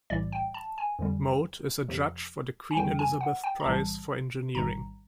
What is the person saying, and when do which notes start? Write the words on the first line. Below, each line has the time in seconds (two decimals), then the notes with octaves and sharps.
Mote is a judge for the Queen Elizabeth Prize for Engineering.
0.10 B1 A2 E3 G3 D5
0.32 G5
0.54 A5
0.78 G#5
0.99 F2 D3 G3
1.88 F2 C3 F3
2.71 G#5
2.77 F2 C#3 E3 G3 G5
2.99 G#5
3.21 F#5
3.44 G5
3.60 A#5
3.65 B1 A2 E3 G3 A5
4.54 A1 G#2 D#3 G3 A#5